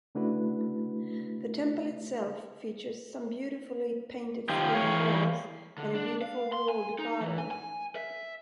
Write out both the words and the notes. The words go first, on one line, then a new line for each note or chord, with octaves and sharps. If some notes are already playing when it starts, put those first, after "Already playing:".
The temple itself features some beautifully painted screen walls, and a beautiful walled garden.
C#3 A3 D4 E4 F#4 B4
D#3 F3 F4 G4
E3 G#3 C#5 F5
D3
D4
F5
C6
G#5
D#4
E3
G#5
G#5
E5